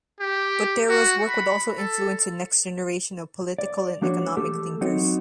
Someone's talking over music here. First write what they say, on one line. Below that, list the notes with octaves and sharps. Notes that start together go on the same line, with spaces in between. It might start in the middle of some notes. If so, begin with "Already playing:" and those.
Botero's work would also influence the next generation of political and economic thinkers.
G4
F#4
B5
A4
D5
F3 A3 D4 F#4 C#5
E3 A3 G4 A4
F#3 B3 C4 D#4 F#4 C#5